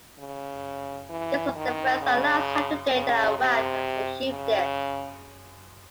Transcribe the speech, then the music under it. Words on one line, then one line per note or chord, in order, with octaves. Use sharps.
This was the first and last time to date that Iraq have achieved this.
C#3
E3
D#3
C#3
C#3
C3
C#3